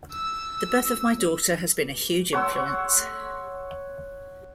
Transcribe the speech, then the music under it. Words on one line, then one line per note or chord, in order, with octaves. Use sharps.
The birth of my daughter has been a huge influence.
E6
C#5 F#5 C6 E6